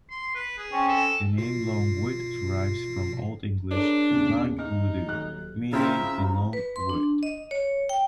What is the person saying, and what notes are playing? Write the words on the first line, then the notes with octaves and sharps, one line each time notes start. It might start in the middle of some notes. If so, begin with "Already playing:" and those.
The name Longwood derives from Old English "Lang wudu", meaning "The Long Wood".
C6
B4
G#4
C4 C#4
A4
B2 F4 C7
D4 G#4 A#4 C#5
E2 A#2 C#3
D#4 F6
D#1 F#3 F#6
C#3 C4 E4 F4 E5 A#5
B4
C6
D4
D#5
C#5
G5